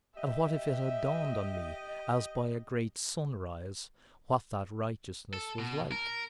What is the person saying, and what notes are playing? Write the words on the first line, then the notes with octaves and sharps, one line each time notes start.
And what if it had dawned on me, as by a great sunrise, what that righteousness was like?
G4 D#5 E5
A4
B2
A#4